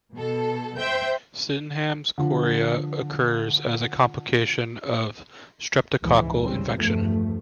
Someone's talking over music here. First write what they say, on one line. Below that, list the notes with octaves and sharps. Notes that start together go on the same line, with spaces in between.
Sydenham's chorea occurs as a complication of streptococcal infection.
B2 A4
C5 E5 G5 G6
D3 F3
C#2 G#2 E3 G#3
G1 C#3 G3 C4
E2 G2 F3 A3